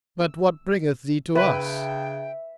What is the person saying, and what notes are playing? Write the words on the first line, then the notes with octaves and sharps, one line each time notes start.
But what bringeth thee to us?
E6
C#3 D4 B4 E5 G5